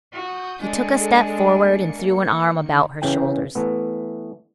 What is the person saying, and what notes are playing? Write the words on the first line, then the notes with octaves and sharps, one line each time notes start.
He took a step forward and threw an arm about her shoulders.
F#4 D#6 G6
G#3 D4 G#4 A4 C#7
A#3 C#7
D#3
C#3 E3 G5
E3 A3 B3